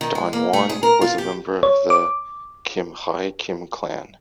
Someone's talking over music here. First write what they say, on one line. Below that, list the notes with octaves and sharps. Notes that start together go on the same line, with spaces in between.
Danwon was a member of the Gimhae Kim clan.
D#3
G#3
A#3
A3
G#4
A#4
F4
G4
C#5
D6